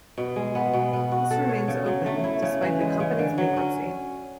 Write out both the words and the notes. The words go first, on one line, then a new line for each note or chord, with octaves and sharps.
This remains open, despite the company's bankruptcy.
B2
G#3
B3
B2
B3
F#4
A4
C#5
C#3
F#3
A3
E4
C#3
E3
G#3
C#3
D3
F#3
C#4